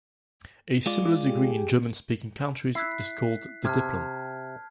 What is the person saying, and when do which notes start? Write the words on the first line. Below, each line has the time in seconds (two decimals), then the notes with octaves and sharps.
A similar degree in German-speaking countries is called the "Diplom".
0.86 G#3 F4 D5
1.26 G4 G#4
2.75 E4 F#6 B6 C7
3.65 C3 A5 F6 G#6